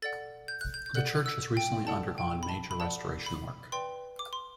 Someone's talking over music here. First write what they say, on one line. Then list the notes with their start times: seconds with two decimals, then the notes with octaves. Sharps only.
The church has recently undergone major restoration work.
0.02 A4 D5 F#5 A6
0.48 G6
0.61 F#6
0.74 G6
0.86 G6
0.95 A4 D5 F#5 F#6
1.26 E6
1.57 G5
1.87 A4 D5 F#5 A5
2.18 G5
2.43 B5
2.49 A5
2.71 B5
2.80 A4 D5 F#5 A5
3.26 B5
3.72 B4 D5 G5 C6
4.19 D6
4.33 C6